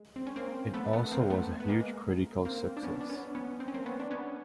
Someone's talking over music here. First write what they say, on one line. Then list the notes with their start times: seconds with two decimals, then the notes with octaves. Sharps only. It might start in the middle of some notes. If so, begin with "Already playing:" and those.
It also was a huge critical success.
Already playing: G#3
0.16 C4
0.27 C#4
0.36 A#3 C4
0.74 A3 B3
0.93 A3 B3
1.11 A#3 C4
1.30 A3 B3
1.60 B3
1.68 G#3 A#3
2.45 A#3 C4
2.77 D4
2.83 B3 C#4
3.01 D4
3.10 B3 C#4
3.35 B3 C#4
3.60 C4
3.68 C#4
3.74 A#3 C4
3.86 B3 C#4
4.00 D4
4.11 B3 C#4